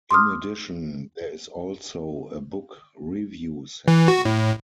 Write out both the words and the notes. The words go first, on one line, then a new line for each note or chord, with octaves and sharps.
In addition, there is also a book review section.
C6 D6 D#6 F6
E3
F#4
A2